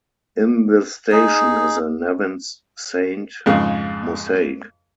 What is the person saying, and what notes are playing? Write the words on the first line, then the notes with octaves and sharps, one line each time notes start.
In the station is a "Nevins Saint" mosaic.
D#4 G#4
F2 G#2 C#3